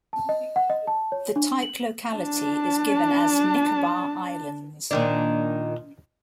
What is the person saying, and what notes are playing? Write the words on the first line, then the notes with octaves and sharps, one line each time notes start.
The type locality is given as "Nicobar Islands".
A5
D#5
F#5
D#5
A5
C#5
D4
F#7
D4 A5
A#2 D#3 D4